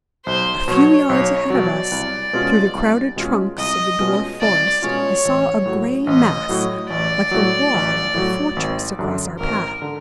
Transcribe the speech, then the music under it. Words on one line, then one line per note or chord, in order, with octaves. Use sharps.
A few yards ahead of us, through the crowded trunks of the dwarf forest, I saw a gray mass, like the wall of a fortress, across our path.
B1 C5
B2 F#3 C#5
B1 C#5
B2 F#3 D5
C2
B2 G#3 C#4 F4
C2
B2 G#3 C#4 F4
C2 D#5
B2 G#3 C#4 F4
C2 D5
B2 G#3 C#4 F4 C#5
A1
A2 F#3
A1 D#5
A2 F#3
A1 D5
A2 F#3
A1
A2 F#3
G#1
F#2 D3
G#1 A#4
D3